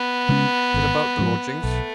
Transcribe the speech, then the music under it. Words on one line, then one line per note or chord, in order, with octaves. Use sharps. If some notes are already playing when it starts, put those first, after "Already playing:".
"Is it about the lodgings?"
Already playing: B3
C#3 G#3 C#4
G#1
G#2 F3
B1 A3